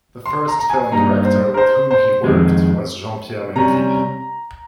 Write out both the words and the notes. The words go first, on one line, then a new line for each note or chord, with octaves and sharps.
The first film director with whom he worked was Jean-Pierre Melville.
C6
A#5
A#5
G#5
G2 G3 A#3 D#4 A#5
C5
A#4
C5
C5
F2 D#3 G#3
C3 G3 C#4 A#5